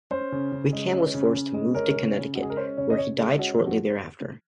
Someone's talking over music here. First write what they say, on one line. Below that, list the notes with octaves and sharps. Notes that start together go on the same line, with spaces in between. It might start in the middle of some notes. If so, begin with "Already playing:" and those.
Wickham was forced to move to Connecticut, where he died shortly thereafter.
C#4 C5
C#3
C#3
G#3
C#4
C#3
C#3
G#3
C#4 A#4
C#3
C#3
G#3 F#4
G#4
A#4
C#4 C5
C#3 C#5
D#5
C#3 C#5
G#3 G#4
C#4 F#4
F3
F#4